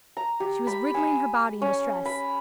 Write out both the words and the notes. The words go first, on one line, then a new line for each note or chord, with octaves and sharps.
She was wriggling her body in distress.
A#5
G4
B5
G#5
C#4
B5